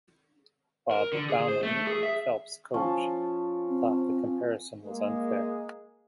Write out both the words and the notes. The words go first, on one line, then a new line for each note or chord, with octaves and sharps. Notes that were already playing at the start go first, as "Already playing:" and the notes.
Bob Bowman, Phelps' coach, thought the comparison was unfair.
A#4
D3
G#4
C5
A3
G#4
E5
F3 C#4 A5
C4
G#3 A#3